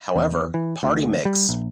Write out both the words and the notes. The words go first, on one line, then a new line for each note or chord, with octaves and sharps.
However, Party Mix!
E2
E3
D2
G3
A#1